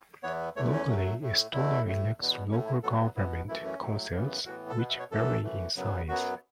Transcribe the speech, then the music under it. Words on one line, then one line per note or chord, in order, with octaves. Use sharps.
Locally, Estonia elects local government councils, which vary in size.
E2 E3 B3 C#5
E2 E3 A3 C#5
C#4
F#2 F#3 A3
A2 A3
E2 B2 A3 E4
A2 A3
E2 B2 B3
A2 A3 C#4
E4
A2 F#3 B3 A4
B2 B3 E4
F#2 E3 A3 E4
C#4
A2 F#3 A3
F#2 C#3 E3 B3
A2 E3 B3 F#4
A4
B2 B3 B4
E5
C#5
F#2 E3 A3 A4
F#2 E3 A3
F#2 C#3 F#3 B3
F#2 F#3 B3 F#4